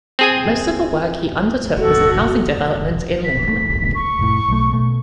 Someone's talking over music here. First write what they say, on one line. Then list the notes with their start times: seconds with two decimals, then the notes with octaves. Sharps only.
Most of the work he undertook was in housing development in Lincoln.
0.19 C4 G#4 G#5
1.79 F#4 A4
3.24 B6
3.48 A3
3.95 C#6
4.19 F1 A2
4.48 B1 A3
4.73 B2 A3